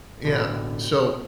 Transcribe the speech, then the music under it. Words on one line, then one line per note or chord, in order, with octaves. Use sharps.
Yeah, so
A1 B2 D3